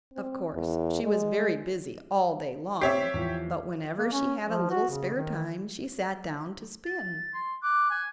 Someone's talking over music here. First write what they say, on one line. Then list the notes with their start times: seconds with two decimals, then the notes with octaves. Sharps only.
Of course she was very busy all day long, but whenever she had a little spare time she sat down to spin.
0.13 C4
0.54 E2
1.04 G#3
2.81 C4 G4 C#5 E5 C7
3.14 E2 F3
3.98 A#3
4.12 C#4
4.47 F3
4.70 F#4
4.90 C#3
5.14 D#3
6.85 A6
7.34 C6
7.63 D6 F#6
7.90 G#5